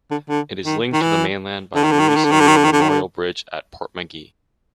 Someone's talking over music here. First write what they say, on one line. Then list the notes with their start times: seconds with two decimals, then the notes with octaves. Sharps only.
It is linked to the mainland by the Maurice O'Neill Memorial Bridge at Portmagee.
0.11 D3
0.29 D3
0.65 D#3
0.93 D#3
1.02 E3
1.75 D3
1.83 D#3
1.91 D3
1.99 D#3
2.08 D3
2.16 D#3
2.24 D3
2.31 D#3
2.40 D3
2.48 D#3
2.57 D3
2.64 D#3
2.72 D3
2.81 D#3
2.89 D3